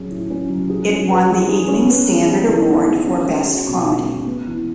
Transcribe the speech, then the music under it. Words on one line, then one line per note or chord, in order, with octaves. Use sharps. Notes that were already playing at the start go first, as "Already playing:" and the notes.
It won the Evening Standard Award for Best Comedy.
Already playing: F#3 C#4 G#4
A2
C#4
F#3
G#4
C#4
B4
G#3
G#4
C#4
B3
G#3
D#4
E3
B3
G#3
C#4
G#3
F#4
B2
C#4
G#3
B3
E3